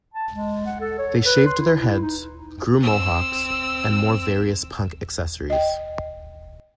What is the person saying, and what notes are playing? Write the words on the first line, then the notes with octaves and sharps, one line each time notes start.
They shaved their heads, grew mohawks and wore various punk accessories.
A5
G#3
F#5
A4
C#5
B4
C6
E4
E4
D#4
C4 E6
D#5 G5